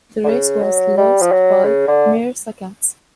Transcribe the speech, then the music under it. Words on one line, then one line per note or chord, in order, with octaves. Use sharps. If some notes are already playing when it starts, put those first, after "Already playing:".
The race was lost by mere seconds.
D3
C#3
F#3
G3
F3
F#3
C#3
D3